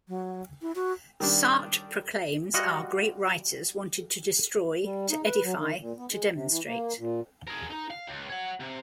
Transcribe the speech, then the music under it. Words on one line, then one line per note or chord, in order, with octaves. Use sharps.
Sartre proclaims, our great writers wanted to destroy, to edify, to demonstrate.
F#3
E4
F#4
D#3 G3 D4
G3 F4 F#4 D#5 F#5
G3
D#4
B4
F#3
D#3
A#2
B3
G#3
C3
E3
A#3
A#2
G#4 A#4
D#4
F5
C#2
C#5 F#5
C3